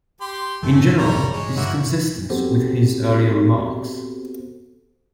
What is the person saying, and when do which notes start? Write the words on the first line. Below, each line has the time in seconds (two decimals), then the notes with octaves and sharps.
In general, this is consistent with his earlier remarks.
0.21 G4 C6
0.63 G#1 G2 E3 A3
0.98 G3 C#5 A#5
1.33 G#3 C#5
1.57 G2 A#3 E4 F#4
2.30 B3 C4 F#4 G4 A4 C5